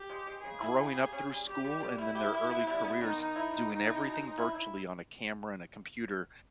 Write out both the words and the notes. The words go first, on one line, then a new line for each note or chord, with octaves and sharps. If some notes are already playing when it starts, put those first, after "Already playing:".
growing up through school and then their early careers doing everything virtually on a camera and a computer,
Already playing: G4
G#3
G#3
C#3 G#4
E4
C#3
G4
C#4
G3
G3 G4
G3
G3
G3 E4
G4
G4
B3
G3
B3
D#3 D#4
D#3
E4
D#3 D#4
D#3
E4
B2
G#3
E4
E4